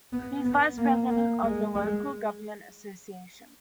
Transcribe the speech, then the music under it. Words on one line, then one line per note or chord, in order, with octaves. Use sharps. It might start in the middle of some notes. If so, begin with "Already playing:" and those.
He is Vice-President of the Local Government Association.
B3
B3
A#3
A#3
G#3
G#3